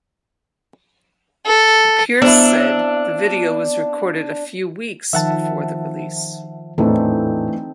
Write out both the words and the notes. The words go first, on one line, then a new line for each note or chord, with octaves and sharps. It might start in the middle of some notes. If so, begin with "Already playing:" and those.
Pearce said the video was recorded "a few weeks" before the release.
A4
B3 C4 D4 E4
D#3 F3 E5 F#5 A5
E2 A2 E3 A3 C4 D4 D#4 A4